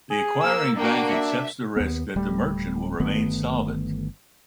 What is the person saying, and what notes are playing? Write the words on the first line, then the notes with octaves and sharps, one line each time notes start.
The acquiring bank accepts the risk that the merchant will remain solvent.
G#4
A#3 E6
A#3 D4 F#4 G5
E5
D#2 B3
D1 G3 A3
G1 D#3 A3 B3